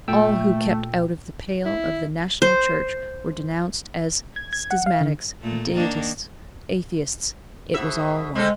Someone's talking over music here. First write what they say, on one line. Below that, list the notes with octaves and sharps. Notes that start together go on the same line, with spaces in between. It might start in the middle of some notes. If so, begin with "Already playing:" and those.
All who kept out of the pale of the national church were denounced as schismatics, deists, atheists--it was all one.
A#2 A3 G5 E6
E4
C5
G#6
G#6
F#5
F5
D3
A#2 A3
D#3 A#3 D4
G#2 B2 E5
G#3 C4 C#4 A4